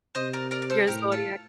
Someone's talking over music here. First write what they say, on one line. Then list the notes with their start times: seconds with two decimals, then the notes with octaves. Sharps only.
Your zodiac
0.15 C3 C5 D#5
0.33 A#4 D5
0.51 A#4 D5
0.62 D5
0.70 A4 C5
0.87 A2 G4 A#4
1.12 F4 A4